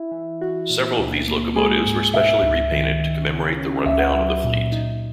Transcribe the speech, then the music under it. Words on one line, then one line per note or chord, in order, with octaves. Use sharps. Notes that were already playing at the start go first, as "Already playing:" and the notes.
Several of these locomotives were specially repainted to commemorate the run-down of the fleet.
Already playing: E4
E3
F#4
A#2
C#2
A#3
G#3 G#4
G#2
B2 E5
C#2
D#3
D#3
C#3
C#4
C#2 E5
F#5
F#3 E5
A#2
D#4